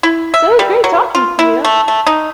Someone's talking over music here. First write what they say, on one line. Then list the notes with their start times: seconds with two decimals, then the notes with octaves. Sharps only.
So, it was great talking to you.
0.03 E4
0.34 E5
0.59 G3
0.84 F#3
1.15 F4
1.39 E4
1.65 A3
1.88 A3
2.07 D#4